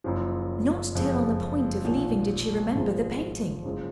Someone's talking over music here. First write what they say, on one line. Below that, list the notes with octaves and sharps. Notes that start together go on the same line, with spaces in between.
Not till on the point of leaving did she remember the painting.
F#1 F#2 F3
F#1 F2 F3 G#3
B1 A#2 F3
G#1 G#2 F3 G#3 D#4
F#1 F#2 F3 G#3